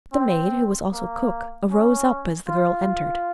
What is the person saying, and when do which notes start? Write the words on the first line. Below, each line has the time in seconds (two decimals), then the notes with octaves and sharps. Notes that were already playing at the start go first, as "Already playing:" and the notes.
The maid--who was also cook--arose up as the girl entered.
0.13 C4
0.93 A#3
1.71 C#4
2.49 F4